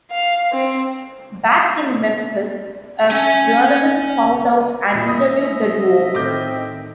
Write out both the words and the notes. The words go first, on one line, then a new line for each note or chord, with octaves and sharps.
Back in Memphis, a journalist found out and interviewed the duo.
F5
C4
C#4 G#5
A#2 D#5 E5 B5
D#6
A2 D#3 C4 D6 G6